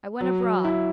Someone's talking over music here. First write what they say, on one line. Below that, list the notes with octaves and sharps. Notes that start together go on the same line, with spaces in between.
I went abroad.
F#3
F#3
E4